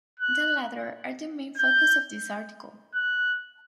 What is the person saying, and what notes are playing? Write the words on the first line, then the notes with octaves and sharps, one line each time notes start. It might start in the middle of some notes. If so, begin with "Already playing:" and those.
The latter are the main focus of this article.
F#6
G6
F#6